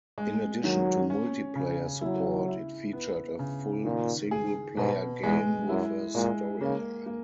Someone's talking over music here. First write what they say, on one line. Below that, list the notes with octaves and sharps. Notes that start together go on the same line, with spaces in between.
In addition to multiplayer support, it featured a full single-player game with a storyline.
G#3
D#3 F#3
C#4
C#3
F#3 E4
E4
B3
C#3
A#2 D#3
G#4
G#2 B2
E2 G#3
F#2 E4
A#2 G#3
C#3 A#3
A#3